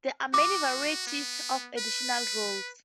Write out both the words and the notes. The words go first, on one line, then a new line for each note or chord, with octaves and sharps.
There are many varieties of additional rules.
F#4 D6
B3
B4